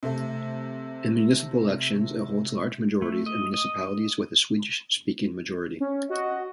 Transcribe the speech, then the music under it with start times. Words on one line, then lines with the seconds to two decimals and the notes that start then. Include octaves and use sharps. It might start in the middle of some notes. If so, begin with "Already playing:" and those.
In municipal elections, it holds large majorities in municipalities with a Swedish-speaking majority.
0.03 C3 A3
3.02 A3
3.26 D#5
3.54 D#5
5.80 C#4
6.10 F#4 D#5